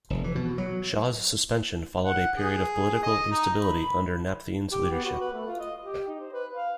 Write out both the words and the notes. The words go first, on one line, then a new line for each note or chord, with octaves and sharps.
Shaw's suspension followed a period of political instability under Napthine's leadership.
F1
E3
B2
F#3
F#5
G#4
D#5
D#4
B5
G4
B3
F#4
B4
A3
F4
D#5
G4
D#4
C5
B4
F5